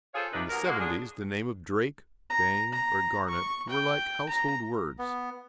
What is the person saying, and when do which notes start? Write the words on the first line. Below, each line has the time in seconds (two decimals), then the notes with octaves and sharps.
In the 'seventies the name of Drake, Bang, or Garnet were like household words.
0.14 F4 G#4 A4 C5 C#5 F5
0.32 D#2 C3 E3 D4 D#4 B4
0.49 D#2 F#3 B3 A#4
0.65 G#3 A#3 F#4
0.80 D3 C#4 D4 G#4
2.30 A#5
2.73 A#5
3.29 C#6
3.69 G5
4.29 A#5
4.99 B3